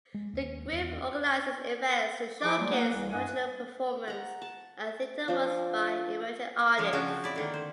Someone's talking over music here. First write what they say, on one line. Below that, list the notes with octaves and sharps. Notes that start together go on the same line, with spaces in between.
The group organizes events to showcase original performance and theatre works by emerging artists.
G#3
D#2
E2
F3 E4 G#4 D6
F#3 G3 A3 A#3 F4 G#4
A#3 F#5
C2 E3
G2 D#5 F#5 G#5
F#5 A#5
A5
F3 D4
C#3 F3 G#3
C#3 F3 C#4 D4 F#4
C4
E4 D5
D3 D#3 A#3
C5